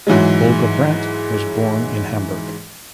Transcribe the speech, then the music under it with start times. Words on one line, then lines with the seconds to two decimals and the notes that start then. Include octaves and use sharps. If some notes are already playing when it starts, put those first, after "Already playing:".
Olga Brandt was born in Hamburg.
0.07 G#2 E3 F#3 G#3